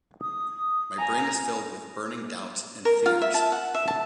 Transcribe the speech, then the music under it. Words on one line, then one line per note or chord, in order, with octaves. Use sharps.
My brain is filled with burning doubts and fears.
D#6
G#5 A#5
A#4
F4
E5
A5
F#5
E5
A5